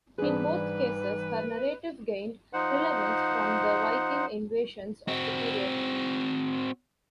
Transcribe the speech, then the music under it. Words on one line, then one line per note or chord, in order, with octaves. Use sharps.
In both cases, her narrative gained relevance from the Viking invasions of the period.
G#2 E3 G3 D4 G#4 B4
F3 D#4 C5 F#5
C4 F#4